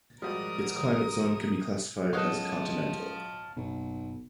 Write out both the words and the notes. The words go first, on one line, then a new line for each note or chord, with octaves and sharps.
Its climate zone can be classified as continental.
F3 G3 G#3 F#4 A#4 D5 D#6
C#2 F#3 C#5 D#5 F5 F#5 A5
F#1 B1 B2